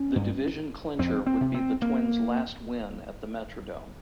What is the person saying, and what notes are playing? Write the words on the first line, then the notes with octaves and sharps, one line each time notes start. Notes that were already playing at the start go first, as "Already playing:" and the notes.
The division clincher would be the Twins' last win at the Metrodome.
Already playing: C#4
G2
F2 C4
C4
C3
C4
A#3